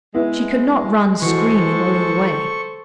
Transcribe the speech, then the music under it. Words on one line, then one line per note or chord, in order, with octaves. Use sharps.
She could not run screaming all the way.
G#3 B3 E4
E3 F#4 A4 C5 C#6